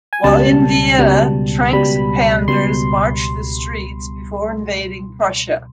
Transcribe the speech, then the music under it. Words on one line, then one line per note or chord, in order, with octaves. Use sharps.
While in Vienna, Trenck's Pandurs marched the streets before invading Prussia.
G#5
C#2 B2 G3 A5
C#2 B2 G3
C#2 B2 G3 B5
C#2 B2 G3 C6